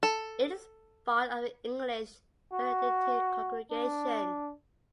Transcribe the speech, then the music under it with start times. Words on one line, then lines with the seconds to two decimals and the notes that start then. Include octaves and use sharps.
It is part of the English Benedictine Congregation.
0.03 A4
2.53 F#4
3.71 D4